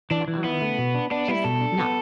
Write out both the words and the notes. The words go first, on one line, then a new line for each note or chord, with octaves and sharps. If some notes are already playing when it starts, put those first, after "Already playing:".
eh, um, just not
E3 D4
E3
B3 E4
A3
B2
D4
B3 D4
G3 E4
B2 A4
D4
B3